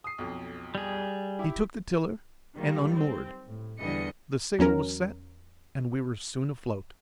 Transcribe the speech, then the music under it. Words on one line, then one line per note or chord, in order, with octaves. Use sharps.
He took the tiller, and unmoored; the sail was set, and we were soon afloat.
D#6 C7
B1 F2
G3 G#4
E4 G4
D#3 F#3 G3 A#3
C4
A2
E2 D3 E3 G3 D#5 C#7
E2 F#3 C#4 A#4